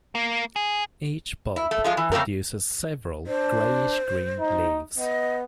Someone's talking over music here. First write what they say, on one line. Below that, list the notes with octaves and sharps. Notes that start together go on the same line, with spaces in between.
Each bulb produces several greyish-green leaves.
A#3
G#4
E4
A3
F3 G#3 F4
E3
C#3 A3 A#3 C4 A#4
D4 C5
D#4
B3 D#5